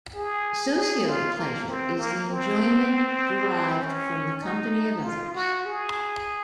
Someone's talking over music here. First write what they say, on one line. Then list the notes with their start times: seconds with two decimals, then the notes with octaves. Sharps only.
Socio-pleasure is the enjoyment derived from the company of others.
0.15 G#4
0.75 G#4
1.06 F4
1.37 A#3
1.68 C4
1.98 A#3
2.29 C4
3.82 C#4
4.43 D#4
5.04 F4
5.35 F#4
5.66 G#4